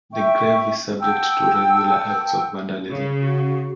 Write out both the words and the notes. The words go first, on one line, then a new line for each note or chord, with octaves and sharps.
The grave is subject to regular acts of vandalism.
E5 G5 C#6
F#5 G5 A5 E6
C#3
F#4